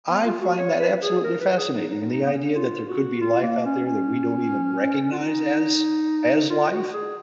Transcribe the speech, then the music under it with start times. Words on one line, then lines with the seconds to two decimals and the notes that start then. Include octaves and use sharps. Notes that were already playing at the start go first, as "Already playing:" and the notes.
I find that absolutely fascinating, and the idea that there could be life out there that we don't even recognize as as life.
0.08 B3
0.25 F4
0.41 F#4
0.58 C#5
0.80 B4
1.02 G#4
1.24 A#4
1.40 B4
1.57 G#4
1.73 D#4
1.90 D#4
2.11 D#4
2.24 B3
2.33 C#4
2.55 F4
2.88 F#4
3.21 F4
3.43 A#3
3.65 C#4
3.87 C#4
5.12 F4
5.18 D#4
6.50 F4
6.72 F#4
6.94 G#4